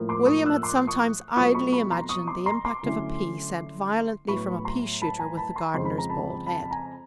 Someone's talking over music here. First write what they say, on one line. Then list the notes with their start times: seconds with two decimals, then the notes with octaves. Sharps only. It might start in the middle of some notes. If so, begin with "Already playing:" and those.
William had sometimes idly imagined the impact of a pea sent violently from a pea-shooter with the gardener's bald head.
Already playing: A2 F3 A#3
0.09 C6 D6
0.27 C#6 D#6
0.46 E6 F#6
0.63 C6 D6
0.87 C#6 D#6
1.36 B2 F#3 A3 C4 F4 C#6 D#6
1.55 B5 C#6
1.72 B5 C#6
1.91 A#5 C6
2.09 C#6 D#6
2.27 C6 D6
2.46 A#5 C6
2.65 C6 D6
2.83 D3 F#3 A3 C#4 E4
4.28 A2 F#3 B3 B5 C#6
4.65 A#5 C6
5.02 A5 B5
5.19 G#5 A#5
5.37 A5 B5
5.55 A#5 C6
5.74 F2 C#3 F3 G#3 C4 C6
5.85 B5
5.98 A#5
6.09 A5 B5
6.47 A5 B5
6.71 G#5 A#5